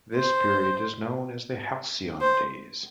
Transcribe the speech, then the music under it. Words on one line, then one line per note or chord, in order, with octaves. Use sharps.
This period is known as the Halcyon Days.
C5
C5